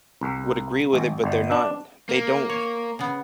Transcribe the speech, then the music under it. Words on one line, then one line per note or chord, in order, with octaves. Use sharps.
would agree with it, but they're not they don't
C2
G#1
G1
D4
A#3
C#5
C#3 B3